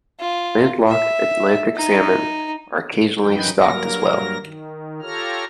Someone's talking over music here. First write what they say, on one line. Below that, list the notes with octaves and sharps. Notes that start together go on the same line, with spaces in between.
Landlocked Atlantic salmon are occasionally stocked as well.
F4
E5
D#4
F#2 E3 F#3 D#4 B4 G5
G2 F#3 A#3 A#4 A#6
D#3
F4 G4 A4 C#5 A#5 F6